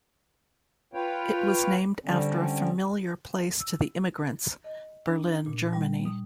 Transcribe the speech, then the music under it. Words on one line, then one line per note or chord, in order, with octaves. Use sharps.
It was named after a familiar place to the immigrants: Berlin, Germany.
F4 B4 C#5 F5 G5
D3 G3 C4 C#4
E6
D#5
D4
A#2
G3
D#6